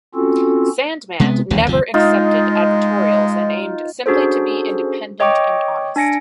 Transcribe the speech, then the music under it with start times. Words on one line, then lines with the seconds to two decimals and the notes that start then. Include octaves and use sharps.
Sandman never accepted advertorials and aimed simply to be independent and honest.
0.15 C4 C#4 F4 F#4 A4
1.20 C3 G#3 A#3 B3
1.50 E1 A1 D#2 D3
1.67 G1 D#2 C3 F3
1.94 G#3 D#4 F4
4.06 C#4 D4 F#4 G#4 A4 C5
5.20 C#5 D#5 G5 C#6 D6
5.96 D4 G#5 A#6 C#7 D7